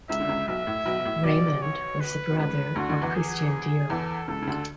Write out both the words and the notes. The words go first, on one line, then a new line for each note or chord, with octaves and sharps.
Raymond was the brother of Christian Dior.
C#2 C#3 E5
D3
C#2 C#3
B1 B2 E5
A2
B1 B2
B2
A2
B1 B2 D5
C#5
B4
B2
C#2 C#3 B4
D2 D3 F#4
D2 D3
E2 E3
G#4
E2 E3 A4
C#2 C#3 A4
C#3
D2 D3